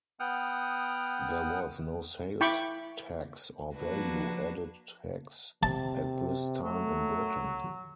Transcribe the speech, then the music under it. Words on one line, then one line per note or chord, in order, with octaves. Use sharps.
There was no sales tax or value added tax at this time in Britain.
B3 F#5 G5 D#6 F6
E4 G5 B5 C#6 D6
F3 A#3 D4 F#4 B4
C3 A5
F#3 A3